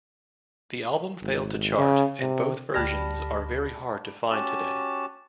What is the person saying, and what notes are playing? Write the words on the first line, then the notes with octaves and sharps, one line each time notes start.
The album failed to chart, and both versions are very hard to find today.
G#1
C#3
C3
D2 G3 A5 B5 F6 A#6
C#4 F#4 G4 A5